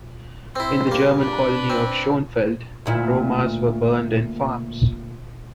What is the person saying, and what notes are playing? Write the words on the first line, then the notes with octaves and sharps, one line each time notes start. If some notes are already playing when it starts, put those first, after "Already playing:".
In the German colony of Shonfeld, Romas were burned in farms.
C4 E4 C5
G2 A#3
D4 B4
C4
D2 A#2 E4